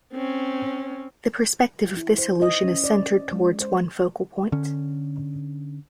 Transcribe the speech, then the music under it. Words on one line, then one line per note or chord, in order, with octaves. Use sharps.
The perspective of this illusion is centered towards one focal point.
C4 C#4
E4
C5
D#5
C#4
D5
G#3
C5
D3 C#4